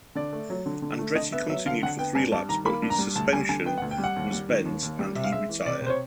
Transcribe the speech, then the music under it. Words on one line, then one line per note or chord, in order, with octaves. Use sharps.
Andretti continued for three laps, but his suspension was bent, and he retired.
D3 D5
A3
F#3
D3
D3
A3
D3 D#5
B3 E5
F#3 E5
D3 F5
D3 F#5
B3 G5
G2 G#5
G3 A5
D#3 A#5
A#3 B5
G2
A#5
G3
D2 A5
G3 G#5
D3 G#5
B3 G5
F#5
D2
G5
G3
F#5
D#2
G3
D#3
D#2
D#2
G3
C3 E5
F5
G#3 E5
E3
C3 D5
C3 C5
C#5